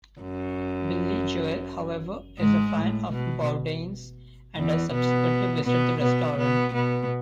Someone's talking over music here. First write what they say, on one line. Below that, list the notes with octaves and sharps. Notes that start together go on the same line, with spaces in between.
Billy Joel, however, is a fan of Bourdain's and has subsequently visited the restaurant.
F#2
G#2 G#3
A2
B2
E2 E3
B2 B3
B2 B3
B2 B3
B2 B3
B2 B3